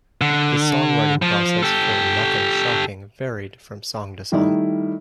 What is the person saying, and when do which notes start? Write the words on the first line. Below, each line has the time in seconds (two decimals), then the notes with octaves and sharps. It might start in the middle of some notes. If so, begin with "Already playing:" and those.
The songwriting process for "Nothing's Shocking" varied from song to song.
0.21 D3
1.22 F3
1.63 G4 A4
4.32 D#3 G3 A3 D#4 E4